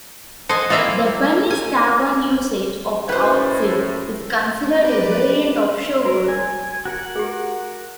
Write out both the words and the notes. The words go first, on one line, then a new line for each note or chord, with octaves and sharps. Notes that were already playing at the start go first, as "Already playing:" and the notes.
The Bunny's Tavern usage of the outfit is considered a variant of Showgirl.
A4 C5 D#5 F#5 G#5
A#3 C4 E4 E5 F5 A5
G#5
F#2 A2 B4 C5
G4 B4 D5
F#4 A#4
G#5
F#4 A#4 F#5
G4 G#4